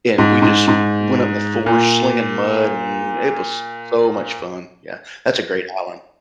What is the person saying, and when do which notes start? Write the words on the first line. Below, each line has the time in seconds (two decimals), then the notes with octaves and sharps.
and we just went up in the forest, slinging mud, and it was s so much fun. Yeah, that's a great island.
0.18 G#2
0.42 G#2
0.68 G#2
1.66 A#2